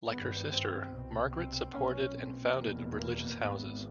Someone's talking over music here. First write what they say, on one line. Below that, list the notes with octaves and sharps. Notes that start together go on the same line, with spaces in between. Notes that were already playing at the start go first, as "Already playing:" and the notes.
Like her sister, Margaret supported and founded religious houses.
G#1 G2 B3
C4
C2 B2 C4
C4
B1 A#2 C#4
C4
F1 E2 B2 A#3
A#3
G#1 G#2 B3